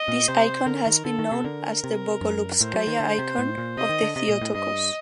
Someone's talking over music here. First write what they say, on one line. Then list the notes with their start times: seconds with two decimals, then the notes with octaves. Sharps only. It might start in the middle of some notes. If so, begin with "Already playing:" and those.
This icon has been known as the Bogolubskaya Icon of the Theotokos.
Already playing: D#5
0.08 A#2
0.28 C3 C5
0.66 D3 A#4
0.86 D#3
1.05 D3 A4
1.19 D#3
1.31 C3
1.44 D3 A#4
1.84 C3
2.21 F#2
2.61 A2 C5
2.74 F#3
2.87 D#3
3.00 D3
3.19 C3
3.39 A2
3.58 A#2
3.77 C3 D#5
3.89 D#3
4.03 D3
4.16 C3 D#5
4.29 A#2
4.41 A2
4.54 G2 D#5